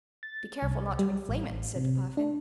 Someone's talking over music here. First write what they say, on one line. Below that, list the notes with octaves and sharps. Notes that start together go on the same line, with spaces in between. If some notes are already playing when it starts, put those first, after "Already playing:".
"Be careful not to inflame it," said Puffin.
A6
C2
G3
A1
C3
D4